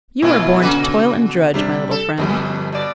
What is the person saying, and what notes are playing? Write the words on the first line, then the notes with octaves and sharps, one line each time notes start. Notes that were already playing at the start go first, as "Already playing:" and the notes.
You are born to toil and drudge, my little friend.
G#2 B2 E4 F4
C#3 F#4 B4
C3 G3 D4
A4
G1 F2 B2 G3
B2 D5